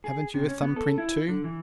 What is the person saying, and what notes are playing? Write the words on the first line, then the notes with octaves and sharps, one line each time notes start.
"Haven't you a thumb-print, too?"
G#4
C3
C#4
B3
A4
E4
D3
E3